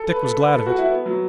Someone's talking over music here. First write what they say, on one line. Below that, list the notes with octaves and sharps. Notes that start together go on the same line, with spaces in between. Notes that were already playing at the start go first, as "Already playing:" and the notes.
Dick was glad of it.
Already playing: A4
B4
A4
B4
A4
F#4
E4
B3
F#3